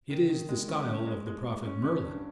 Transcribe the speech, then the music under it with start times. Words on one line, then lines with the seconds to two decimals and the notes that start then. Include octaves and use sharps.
It is the style of the prophet Merlin.
0.10 D#3
0.29 D#3
0.49 G#3
0.68 C#4
0.87 C#4
1.07 G#3
1.26 G#3
1.46 G#3
1.65 C#4
1.84 C#4
2.03 G2